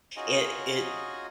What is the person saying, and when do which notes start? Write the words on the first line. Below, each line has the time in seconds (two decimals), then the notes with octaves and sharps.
it it
0.16 C#4 D#4 F4 F#4 G#4 D#5